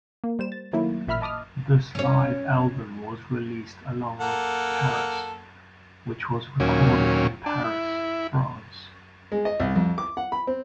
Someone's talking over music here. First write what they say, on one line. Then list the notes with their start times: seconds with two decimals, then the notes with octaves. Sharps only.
This live album was released along with "Paris", which was recorded in Paris, France.
0.24 A#3
0.39 G3 C5 E7
0.52 A6
0.73 D#3 F#3 A3 A#3 E4
1.07 A1 A#2 E5 B5 F6 B6
1.21 D#5 A5 D6 D#6 F6
1.95 C#4 C#5
4.20 A#3 A4 F#5
6.60 D#2 A#2 F#3 C#4
7.46 D4
7.64 E4
9.32 G#3
9.45 D#5
9.60 C2
9.75 F2
9.98 D6
10.17 F#5
10.32 B5
10.47 C4